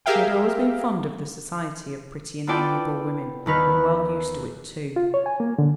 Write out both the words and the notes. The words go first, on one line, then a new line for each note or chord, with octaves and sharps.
He had always been fond of the society of pretty and amiable women, and well used to it, too.
G4 G#4 A#4 E5 F5 G5
B3 E4 F4 A4 D5 G5
D#2 D#3 B4 F6 F#6
F4
C#5
G#5
A#3
D3